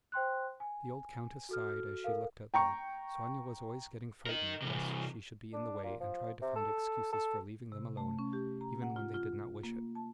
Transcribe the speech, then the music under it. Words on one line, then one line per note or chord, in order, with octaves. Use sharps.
The old countess sighed as she looked at them; Sonya was always getting frightened lest she should be in the way and tried to find excuses for leaving them alone, even when they did not wish it.
C5 G5 C6 F#6
G#5
F#4 A4 F6
A4 A#4 F5
G5 A#5 C#6
A#4 D#5
C3 E3
D4
A#2
F3
C3
A4
A4
C3
A3
C#4
G4
A#5
F#5
F4
F4
A#3
A5